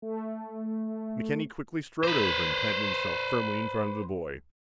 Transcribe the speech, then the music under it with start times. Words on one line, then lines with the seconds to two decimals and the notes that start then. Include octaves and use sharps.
McKenny quickly strode over and planted himself firmly in front of the boy.
0.02 A3
2.03 B4 C5